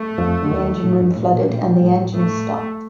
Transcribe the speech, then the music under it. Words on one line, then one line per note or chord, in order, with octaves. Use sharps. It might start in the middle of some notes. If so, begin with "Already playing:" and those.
The engine room flooded and the engines stopped.
Already playing: A3
F2 F3
D3
D#2 D#3
A2
G2
A2
A#2
A#2 G3
A2
A3